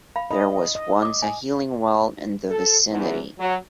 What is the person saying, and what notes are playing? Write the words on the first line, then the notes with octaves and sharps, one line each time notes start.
There was once a healing well in the vicinity.
F5 B5
D#5 B5
D#5
D6 D#6
G#5
A4
E2
F#3